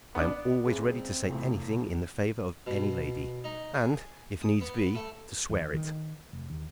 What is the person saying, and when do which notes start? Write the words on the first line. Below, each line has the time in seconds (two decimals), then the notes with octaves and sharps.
I am always ready to say anything in the favor of any lady, and, if needs be, to swear it.
0.15 A1 B3 D4
0.65 F#1 C#3 G#3 C4
1.29 E1 A2 C3 E3
2.67 B2
3.44 D#4
3.74 G#4
4.43 D#6
4.61 B3
4.95 A3
5.50 D#2
5.74 D#3
6.33 F1
6.50 D#2